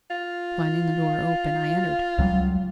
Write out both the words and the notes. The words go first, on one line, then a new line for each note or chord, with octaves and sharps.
Finding the door open, I entered.
F4
C#2 F#3 G3